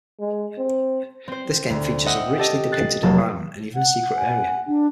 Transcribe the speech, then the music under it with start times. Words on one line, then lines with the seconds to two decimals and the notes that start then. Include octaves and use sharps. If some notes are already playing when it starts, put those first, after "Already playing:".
This game features a richly depicted environment and even a secret area.
0.20 G#3
0.58 C4
1.28 C4 C5
1.70 D2
2.06 D#5 E5 F#5 G5
2.38 G4 A4 D#5
2.72 F#6 A6 C7
3.03 F1 F#3 A#3 A4
3.76 F#5
4.16 G#5
4.67 D4